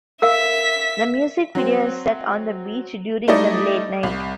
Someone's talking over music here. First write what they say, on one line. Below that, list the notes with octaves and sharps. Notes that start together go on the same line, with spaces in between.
The music video is set on the beach during the late night.
A#4 E5 F5 B6
F#3 C4
G3 A3 D#4 E4 D5 D#5
C2